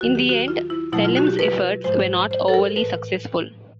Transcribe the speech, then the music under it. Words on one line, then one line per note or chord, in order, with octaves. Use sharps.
In the end Selim's efforts were not overly successful.
D#2 D#3 F#3 F#4
G4
F#4
F4
E4
B2 F#3 A3 E4
F4
F#4
G4
B4
G#2 F3 G#3 C5
C5
A4
A#4
A2 E3 A3 B4